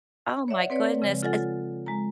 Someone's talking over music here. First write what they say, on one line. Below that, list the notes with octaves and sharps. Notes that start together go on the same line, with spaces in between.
oh my goodness, i
C#5 D5 E5 F#5
C4 B4 C#5 D5
C#3 F3 G#3
F4 A4 F#5 G#5 A6
G#3 A#5